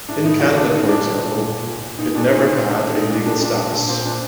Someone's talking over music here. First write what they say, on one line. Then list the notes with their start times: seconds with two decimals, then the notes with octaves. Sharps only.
In Canada for example, it never had a legal status.
0.09 A2 D4
0.24 A2 D#4
0.40 A2 F#4
0.56 A2 D4
0.71 A2 D#4
0.88 A2 D4
1.03 A#2
1.20 A#2
1.35 A#2
1.52 A#2
1.67 A#2
1.82 A#2
1.98 A#2 D#4
2.15 A#2 D4
2.31 A#2 D#4
2.46 A#2 C4
2.63 A#2
2.70 D4
2.79 A#2
2.94 A#2 D#4
3.10 A#2 D4
3.25 A#2 D4
3.41 A#2 D4
3.57 A#2
3.73 A#2
3.88 A#2 C4
4.04 A#2 D4